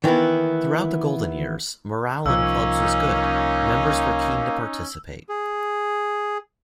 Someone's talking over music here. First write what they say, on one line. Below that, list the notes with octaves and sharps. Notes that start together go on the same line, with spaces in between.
Throughout the golden years morale in clubs was good, members were keen to participate.
D#3 E3 A#3 B3 E4
C2 F3 A#3 C#4 D#4 E6
G#4